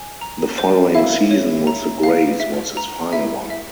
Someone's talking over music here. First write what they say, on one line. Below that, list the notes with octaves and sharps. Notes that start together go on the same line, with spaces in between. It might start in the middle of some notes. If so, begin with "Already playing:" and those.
The following season with the Grays was his final one.
Already playing: G#5
A#5
C5
E4 F5
C#5
A#5
F5
E5
A#5
E4 E5
E5